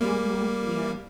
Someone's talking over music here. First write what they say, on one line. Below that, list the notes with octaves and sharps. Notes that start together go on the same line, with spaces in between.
Mhm. Yeah.
G3 A#3